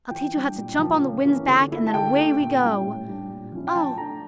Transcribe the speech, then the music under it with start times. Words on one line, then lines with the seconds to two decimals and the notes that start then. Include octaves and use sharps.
"I'll teach you how to jump on the wind's back, and then away we go."
0.11 E3 G5
0.34 G3 D4
0.57 A#2
0.79 F3 A#3
1.03 C#3
1.25 E3 A#3 C#4
1.48 D3
1.70 A3 E4
1.87 A5
1.94 D3 G5
2.15 A3 D4
2.39 A#2
2.62 G3 C#4 E4
2.84 A2
3.07 G3 D4
3.29 A#2
3.52 F3 C#4 E4
3.67 G5
3.75 F3 A5
3.97 A3 D4 A#5